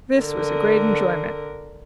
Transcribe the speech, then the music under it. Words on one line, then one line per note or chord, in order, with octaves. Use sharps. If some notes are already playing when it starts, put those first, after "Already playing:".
This was a great enjoyment.
D3 A#4